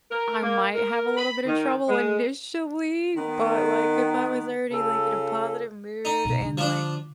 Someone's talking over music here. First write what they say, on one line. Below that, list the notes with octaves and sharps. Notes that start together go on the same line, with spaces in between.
I might have a little bit of trouble initially, but, like, if I was already, like, in a positive mood and, like,
A#4
A#3
A#4
B5
D#3
G#3
D#3 B3
C#3 F4 A4
D#4
B2
D3
F3 D4